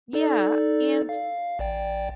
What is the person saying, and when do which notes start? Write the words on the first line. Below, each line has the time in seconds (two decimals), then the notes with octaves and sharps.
Yeah, and
0.13 D#4 A4 D5
1.09 F5
1.59 A1 D5 G5